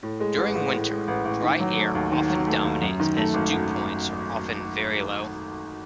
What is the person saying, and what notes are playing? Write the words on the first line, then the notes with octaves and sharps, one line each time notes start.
During winter, dry air often dominates as dew points are often very low.
A2
G#3
A1
A1
A2
G#3
A1
A1
D#3
F#3
A3
D#2
D#3
F#3
A3
D#2
F#2
D#3
A3
G#1
F#2